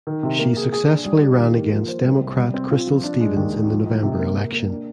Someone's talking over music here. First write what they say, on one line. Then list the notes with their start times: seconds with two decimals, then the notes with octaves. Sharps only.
She successfully ran against Democrat Crystal Stevens in the November election.
0.07 D#3
0.23 C3
0.39 A#3
0.57 G#4
0.73 G#4
0.90 D4
1.06 G3
1.22 G4
1.39 D#3
1.55 A#3
1.72 F3
1.88 C5
2.04 C2
2.21 C3
2.38 G3
2.54 C4
2.71 F4
2.87 F3
3.04 D4
3.21 G#3
3.37 D#2
3.53 D#3
3.70 F3
3.86 G#2
4.03 C3
4.19 A#3
4.36 A#3
4.52 A#3
4.69 D4